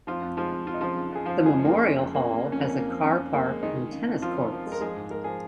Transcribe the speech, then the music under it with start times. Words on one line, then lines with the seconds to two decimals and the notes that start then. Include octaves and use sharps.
The Memorial Hall has a car park and tennis courts.
0.07 F2 F3 F4
0.22 F2
0.37 F3 G#3 F4
0.52 F2
0.67 F2 F4
0.74 D#4
0.81 C#3 F3 F4
0.96 C#3
1.12 F2 G#4
1.26 C#3 F3 F4
1.40 F2
1.46 G#3 G#4
1.55 F3 C#4
1.65 A#3
1.70 G#3
1.85 F2 C#4
2.00 F2
2.14 F2 A#3
2.29 C#3
2.44 F2 A#3
2.52 C#4
2.59 F2 A#3
2.69 C#4
2.73 F2 A#3
2.89 F3
3.04 F3 C#4
3.19 F2
3.33 F2 A#3
3.48 G#3
3.63 D#3 G#3 D#4
3.78 G#3
3.92 C#3
4.07 F2
4.22 F3 F4
4.37 F3
4.52 F3
4.66 G#3
4.72 A#4
4.81 F3 G#3 G#4
4.96 G#2
5.11 G#3 A#4
5.24 F3 G#4